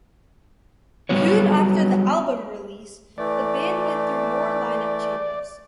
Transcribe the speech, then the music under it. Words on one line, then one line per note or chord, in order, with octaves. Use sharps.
Soon after the album release, the band went through more lineup changes.
F#3 G3 B3 F#4 C#5
E3 A3 D5